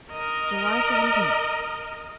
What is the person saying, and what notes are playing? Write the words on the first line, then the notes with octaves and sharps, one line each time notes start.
July Seventeenth.
A#4 D#5